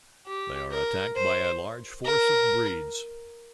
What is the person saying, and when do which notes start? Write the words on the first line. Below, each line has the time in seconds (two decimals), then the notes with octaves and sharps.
They are attacked by a large force of 'breeds.
0.27 G4
0.72 A#4
1.16 C5
2.05 A#4